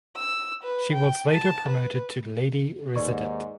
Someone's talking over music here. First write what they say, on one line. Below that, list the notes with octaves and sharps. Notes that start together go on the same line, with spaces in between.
She was later promoted to Lady Resident.
E6
B4
G5
A5
B4
D#2 G#2 B4 D5 C#6